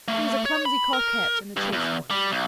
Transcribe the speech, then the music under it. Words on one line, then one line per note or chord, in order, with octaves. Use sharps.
She was a clumsy coquette and a chaste one.
A3
C#5
B5
A#4
G2
E2
G3
B1